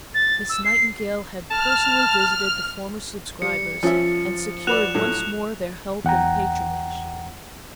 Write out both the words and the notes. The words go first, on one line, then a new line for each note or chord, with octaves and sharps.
Miss Nightingale had personally visited the former subscribers, and secured once more their help and patronage.
A6
E6
C7
A5 F6
G3 C#7
F3 C#4 E5
F#4 B4 D5 F#6 E7 F7
A2 F#3
E2 F#5 G5 A#5